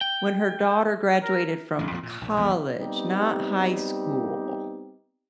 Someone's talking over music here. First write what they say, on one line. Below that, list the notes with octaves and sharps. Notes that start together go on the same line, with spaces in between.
when her daughter graduated from college, not high school.
G5
A#4
A1 D#3
F2 A#2 D3 F3
A#2
A#1
A#1 E2 E3 B3
G3 B3 C4 D#4 G4